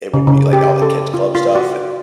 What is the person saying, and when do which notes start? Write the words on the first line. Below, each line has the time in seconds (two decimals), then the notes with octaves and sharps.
it would be, like, all the kids club stuff and,
0.14 C#3
0.27 C#3
0.53 G4
0.82 A4
1.14 F4
1.35 F4
1.55 F#4